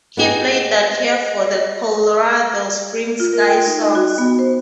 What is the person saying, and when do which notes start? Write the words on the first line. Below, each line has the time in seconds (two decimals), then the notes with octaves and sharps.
He played that year for the Colorado Springs Sky Sox.
0.17 B3 G4 G#4 D#5
3.20 F4
3.33 A#4
3.47 G5
3.67 D#4
3.82 D#5
3.95 F#4
4.18 B3
4.39 C5